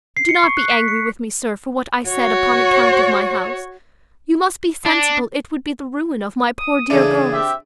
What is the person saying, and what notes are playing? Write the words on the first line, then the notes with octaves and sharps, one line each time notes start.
Do not be angry with me, sir, for what I said upon account of my house; you must be sensible it would be the ruin of my poor dear girls.
C7
C#7
C#6
F#6
B6
C#7
F#4 C#5
D4
D#6
C#3 E3 A3 D4 G#4
C4 G4 E5